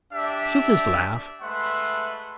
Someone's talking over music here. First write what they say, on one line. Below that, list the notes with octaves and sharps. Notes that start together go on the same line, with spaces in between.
She'll just laugh.
D4 G4 E5
G#3 A3 B4 E5 F#5 C6